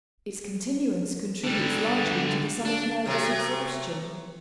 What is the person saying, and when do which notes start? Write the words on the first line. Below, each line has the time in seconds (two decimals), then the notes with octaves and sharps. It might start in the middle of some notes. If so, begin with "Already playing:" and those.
Its continuance contributes largely to the sum of nervous exhaustion.
1.44 D3 G3
2.65 D4
3.06 C3 F#3 A3